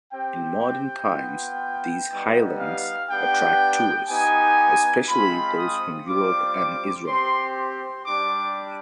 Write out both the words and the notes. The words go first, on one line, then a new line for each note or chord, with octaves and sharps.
In modern times, these highlands attract tourists, especially those from Europe and Israel.
C4 G4 G5
G5
B3 F4
G3 B3 D#4 G4
F5
B3 D4 G4 G5
B3 D#4 G4 G#5
G#3 C4 F4 B5
D#6
G3 C4 F4 D6
C4 G4 C6
C6
G3 D4 G4 D6